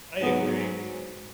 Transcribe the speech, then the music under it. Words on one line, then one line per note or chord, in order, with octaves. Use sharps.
I agree.
G#2 F#3 B3